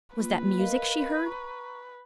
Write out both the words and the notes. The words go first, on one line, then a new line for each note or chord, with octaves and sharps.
Was that music she heard?
A#3 F4 B4
A#4 D#5 F5
A#5 C#6